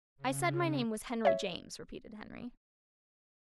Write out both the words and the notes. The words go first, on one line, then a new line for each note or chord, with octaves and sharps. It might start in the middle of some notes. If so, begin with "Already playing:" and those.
"I said my name was Henry James," repeated Henry.
C#3
C#5 E5